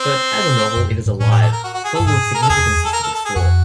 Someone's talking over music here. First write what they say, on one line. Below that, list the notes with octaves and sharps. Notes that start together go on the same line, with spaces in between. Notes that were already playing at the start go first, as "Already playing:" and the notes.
But as a novel it is alive, full of significances to explore.
Already playing: C4
F#2
G2
G#2
A2 C#4
G4
A4
A#4
F#4
F#4
G#4
A4
G2
G#2 G#4
A#4
A4
E2 G#4
A4
A#4
A4
A4
G#4
F2 F#4